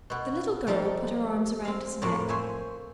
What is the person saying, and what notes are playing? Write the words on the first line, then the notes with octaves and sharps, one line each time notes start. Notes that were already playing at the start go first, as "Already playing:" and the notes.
The little girl put her arms around his neck.
B2 B3
F3 G3 D#4 A4 F5
C4 F5
F2 A2 A#3
C5 C#5 E5 G#5